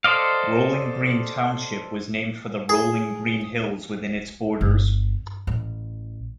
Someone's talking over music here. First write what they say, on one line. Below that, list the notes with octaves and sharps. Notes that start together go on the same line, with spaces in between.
Rolling Green Township was named for the rolling green hills within its borders.
A4 C5 D5 D#5 F5
G#4
G1
A1